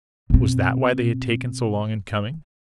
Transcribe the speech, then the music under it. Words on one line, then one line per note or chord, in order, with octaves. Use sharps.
Was that why they had taken so long in coming?
B2 C4